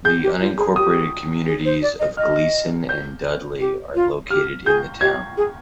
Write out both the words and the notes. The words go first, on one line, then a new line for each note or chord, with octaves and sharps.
The unincorporated communities of Gleason and Dudley are located in the town.
G#4 G6
G4
F4
G#4
G4 D#6
G#4
C5
D5
D#5
D#5 F6
G6
G4
F4
G4 F6
G#4 G6
G4 G#6
G#4